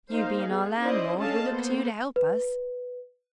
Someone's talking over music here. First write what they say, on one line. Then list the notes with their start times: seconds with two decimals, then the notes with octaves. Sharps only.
You being our landlord, we look to you to help us.
0.12 A#3 D#4 C5 F5
0.47 B3 G#4
0.80 C#4 D#4 E4 C5 D5 D#5
1.18 C#4 D4 A4 D#5 F5 A5
1.50 A#3 B3 A4 C5
2.16 B4